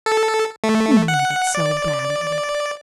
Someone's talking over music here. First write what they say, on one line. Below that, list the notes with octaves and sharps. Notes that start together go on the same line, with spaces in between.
You need it so badly....
A4
A3
F#5
D5